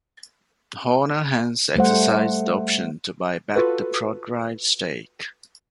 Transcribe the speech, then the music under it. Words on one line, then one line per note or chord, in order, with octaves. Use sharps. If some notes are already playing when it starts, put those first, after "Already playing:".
Horner hence exercised the option to buy back the Prodrive stake.
G3 A3 C5 F#5
F4 F#4 A4 B4